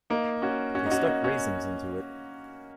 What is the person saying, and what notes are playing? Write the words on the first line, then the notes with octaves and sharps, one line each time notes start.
They stuck raisins into it.
A#3 D#4
C#4 F#4
C#4 F#4
D#4
C#4 F#4
A#3 D#4
C#4 F#4